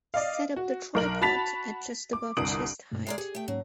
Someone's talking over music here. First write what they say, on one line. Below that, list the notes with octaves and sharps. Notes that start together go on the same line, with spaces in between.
Set up the tripod at just above chest height.
D5 D#5 F5
F#4
B1 A#4 F#7
F#4 A5 B5 A6 B6 F7
D6
G1 C2 D#6 D7 F#7
G2 B2 A3
G#3 G#4 D5 E5 A#5 F6
G4 G#4
A3 G5
G#2 F#3 A#3 C#4